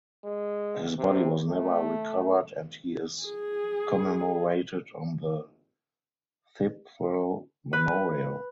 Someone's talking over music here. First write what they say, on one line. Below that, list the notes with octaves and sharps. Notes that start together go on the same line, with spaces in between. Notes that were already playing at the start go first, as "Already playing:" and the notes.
His body was never recovered and he is commemorated on the Thiepval Memorial.
G#3
C3
A3
G#4
B4